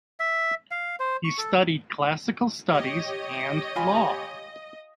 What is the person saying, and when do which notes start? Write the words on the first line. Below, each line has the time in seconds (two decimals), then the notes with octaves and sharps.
He studied classical studies and law.
0.20 E5
0.71 F5
1.00 C5
1.24 C#6
1.38 A4
2.73 G4 C#5 D#5
3.76 F4 G#5 B5